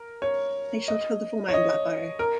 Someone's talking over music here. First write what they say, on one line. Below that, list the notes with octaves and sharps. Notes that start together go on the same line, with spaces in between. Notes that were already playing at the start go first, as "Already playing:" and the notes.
Make sure to fill the form out in black biro.
Already playing: A#4
C#5
D#5
C#5
D#5
A#4